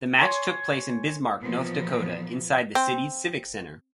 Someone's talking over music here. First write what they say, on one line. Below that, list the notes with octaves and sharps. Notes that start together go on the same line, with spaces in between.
The match took place in Bismarck, North Dakota inside the city's Civic Center.
C#5 G#5 C6
A#2 E3 F3 B3
C4